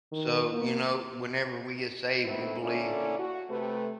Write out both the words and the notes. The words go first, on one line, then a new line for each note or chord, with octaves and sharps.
So, you know, whenever we get saved, we believe
D#3
A#3
A2 D#3 A3 B3 C4 E4
D3 A#3 C#4 E4 A4 D5
F#4
C3 A3 B4